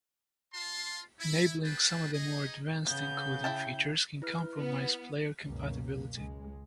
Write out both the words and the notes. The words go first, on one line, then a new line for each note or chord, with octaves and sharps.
Enabling some of the more advanced encoding features can compromise player compatibility.
F4 A5 C6
E4
A#3 C4 G#4 B4 G5 A5
D#4 G#4 D#5
C#3 B3 G6
E4 G5 A5
E4 B4 F6
B3
C#2 F#2 B2 F#3 A#3
C#2 G#3